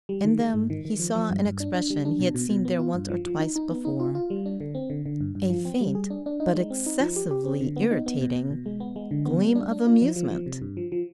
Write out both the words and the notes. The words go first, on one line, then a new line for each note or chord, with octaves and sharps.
In them he saw an expression he had seen there once or twice before, a faint but excessively irritating gleam of amusement.
G3
D#3
G#3
G#2
D#3
D#3
F3
F3
G2
G2
D4
D4
G3
D4
B2
B2
B2
B3
F4
G2
F3
F3
D#4
D#4
B3
D#4
F4
F4
G3
D4
D3
C4
D3
D3
G2
G2
F3
C4
G3
G#4
D4
D4
D#4
G#3
C4
D#4
F3
G4
G4
C4
D3
B3
D#4
B3
B2
B2
B2
G#3
B3
G#3
D3
B3
G3
D4
D4
F4
F3
F3
F3
C3
G2
F3
F3